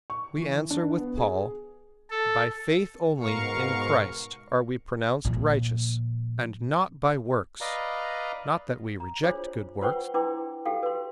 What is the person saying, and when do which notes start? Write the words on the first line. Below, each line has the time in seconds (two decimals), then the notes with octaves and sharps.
We answer with Paul, "By faith only in Christ are we pronounced righteous, and not by works." Not that we reject good works.
0.10 C#6
0.37 E3
0.71 D4
0.98 B3
1.17 G#4
2.10 A4
3.19 G#2 B2 A#4 F5 C#6
5.25 A#2 F3
7.61 B4 D5 D#5 F5 A#5
9.00 A#5
9.23 D4 F4 G#4 C5 C#5
9.82 F4 B4 C5 F#5 G5 C#6
10.14 D4 E4 B4 G5 C6 D6
10.65 D#4 F#4 G4 A4 F5 G5
10.83 B4 C6